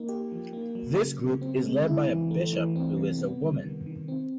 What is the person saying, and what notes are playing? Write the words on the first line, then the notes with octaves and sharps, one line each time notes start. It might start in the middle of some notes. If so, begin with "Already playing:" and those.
This group is led by a bishop who is a woman.
Already playing: A#3 D#4
G4
F3
A#3
F#3
C#3
C#3
C4
G#3
E4
E3
A3
E3
C4
C3
B3
G3
D#3
D#3
C4